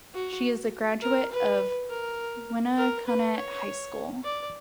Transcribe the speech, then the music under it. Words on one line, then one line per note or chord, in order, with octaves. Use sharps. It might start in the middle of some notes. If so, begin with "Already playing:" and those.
She is a graduate of Winnacunnet High School.
F#4
A#4
B4
A#4
A#4
B4
C#5
D5